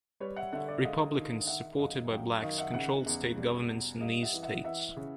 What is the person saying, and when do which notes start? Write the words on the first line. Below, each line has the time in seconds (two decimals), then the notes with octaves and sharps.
Republicans supported by blacks controlled state governments in these states.
0.20 G3 B4 C#5
0.36 E5 F#5
0.53 D3 E5 F#5
0.68 D5 E5
0.84 G#3 D#5 F5
1.16 D#3
1.47 D#3 E5 F#5
1.79 F#2 D#5 F5
2.11 F#3 F5 G5
2.42 D#3 D#5 F5
2.58 E5 F#5
2.74 C#3 E5 F#5
3.06 E2
3.37 G3
3.69 B2
4.01 G3 D#5 F5
4.22 E5 F#5
4.33 E3
4.43 E5 F#5
4.64 E3 E5 F#5
4.96 C#3